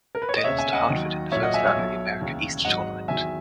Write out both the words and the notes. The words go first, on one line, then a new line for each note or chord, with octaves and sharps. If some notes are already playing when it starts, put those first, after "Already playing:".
They lost to Hartford in the first round of the America East Tournament.
A#4
B4
C#5
D#5
E1 D#2 C#3 C#5 E5
E5 G#5
D#5 F#5
D#2 D#3 F#3
B1 A#2 F#3 C#5 E5
D#5 F#5
E5 G#5
C#5 E5
B1 B2 F#3
E1 D#2 C#3 E3
G#1 G#2 F#3 D#5 F#5
E2 D#3 F#3 E5 G#5